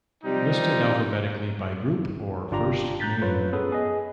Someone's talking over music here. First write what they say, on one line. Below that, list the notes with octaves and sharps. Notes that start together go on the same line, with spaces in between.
Listed alphabetically by group or first name.
C3 F3 G3 D#4
G1 D4 F4 G4 A#5
A#5 F#6 G6 A6 B6
F#2 F4 A4 B4 C#5
B3 C#4 G#4 A4 B4
G#4 D#5